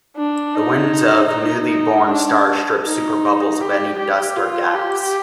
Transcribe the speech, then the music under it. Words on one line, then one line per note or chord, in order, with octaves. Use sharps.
The winds of newly born stars strip superbubbles of any dust or gas.
D4
D#4
D#4
D4
D#4
G4
G4
F4
G4